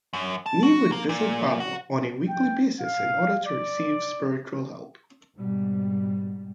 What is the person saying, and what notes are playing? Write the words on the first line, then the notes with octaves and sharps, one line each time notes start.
Nee would visit Barber on a weekly basis in order to receive spiritual help.
F#2
A5
F#4
A#3
A#2
F#4
G5
F5
D5
G#2 B2 G3